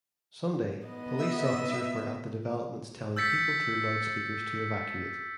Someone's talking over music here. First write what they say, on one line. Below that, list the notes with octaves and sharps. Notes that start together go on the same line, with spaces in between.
Sunday, police officers were at the developments telling people through loudspeakers to evacuate.
B3 D#5
E5
E6 G6 A6 B6 C#7